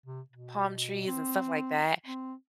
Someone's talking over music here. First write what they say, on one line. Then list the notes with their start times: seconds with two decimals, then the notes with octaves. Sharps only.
palm trees and stuff like that.
0.06 C3
0.30 B2
1.07 C4
2.06 C4